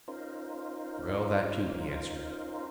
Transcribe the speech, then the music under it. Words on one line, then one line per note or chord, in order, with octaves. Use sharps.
Well, that too he answered.
C#4 D#4 F4 A#4 C5